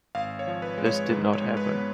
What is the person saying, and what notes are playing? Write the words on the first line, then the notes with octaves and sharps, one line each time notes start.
This did not happen.
G#1 F5
C#5
F3
B4
G#3
C#5
G#2 B4
C#5
G#3
B4
B3